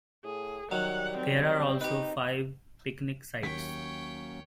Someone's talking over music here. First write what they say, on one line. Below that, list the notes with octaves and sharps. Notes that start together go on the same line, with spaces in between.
There are also five picnic sites.
A2 G#4
D#3 F#3 G3 F#5
C4
D#4 G4 B4
D#2 F#3 A#3 C#4 C#5 G5 B6